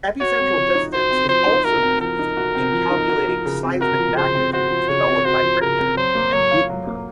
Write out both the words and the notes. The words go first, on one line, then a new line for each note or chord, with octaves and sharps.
Epicentral distance is also used in calculating seismic magnitudes developed by Richter and Gutenberg.
F#4 C#5
C4
F3
D#4
F#4 C5
C4
F3 C5
D#4
F#4 A#4
C4
F3 A#4
D#4
F#4
C4
F3
D#4
F#4
F3
C#3
C4
F#4 A#4
F3
C#3 C5
C4
F#4 C5
F3
C#3 C#5
C4
F#4 C5
F3
C#3 A#4
C4
F#3 C5
A#3
F#3 C#5
F4
F#3
A#3